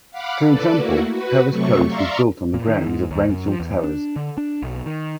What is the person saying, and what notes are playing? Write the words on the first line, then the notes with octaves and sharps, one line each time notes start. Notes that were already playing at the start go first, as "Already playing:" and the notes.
For example, Towers Close was built on the grounds of Rouncil Towers.
F5 F#5 B5 D6
A4 B4 D5
A3 A#3 E4 F#4
F#4 B4
C3 F#3 A3 C#6
D5 E5 F5 A#5 C6 C#6
A#2
D#3
G#2
D#2
F#2
F3
E2
D4
D3
D4
B1
D#3